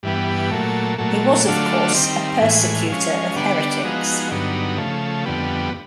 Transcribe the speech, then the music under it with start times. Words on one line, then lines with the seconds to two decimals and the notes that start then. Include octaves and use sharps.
He was of course a persecutor of heretics.
0.03 G2 E3 G3 B3
0.50 A#2 F#3 A3
0.98 A#2 F#3 A3
1.46 D3 F#3 A3 D4 F4
1.92 D#3 G3 C4
2.41 A2 E3 G#3
2.88 F3 G#3 C#4
3.36 D3 G3 B3 D4
3.82 F3 G#3 B3 D#4 F#4
4.31 G2 D3 F#3 B3 D#4
4.78 C#3 F3 A3
5.25 F2 D3 G3 B3